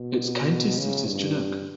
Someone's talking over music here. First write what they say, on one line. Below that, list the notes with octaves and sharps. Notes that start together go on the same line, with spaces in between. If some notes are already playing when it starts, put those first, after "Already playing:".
Its county seat is Chinook.
Already playing: B2
C#3
G2